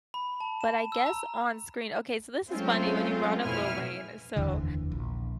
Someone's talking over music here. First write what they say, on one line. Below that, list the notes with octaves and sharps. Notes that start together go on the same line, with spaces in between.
but I guess on screen okay, so this is funny when you brought up Lil Wayne. So
B5
A5
E7
E6
A#5
F#3 G#3 A3 C4 C#4 F4
F2 B2 E4 G#5 F6
F1 D#2 D3 E3
A#1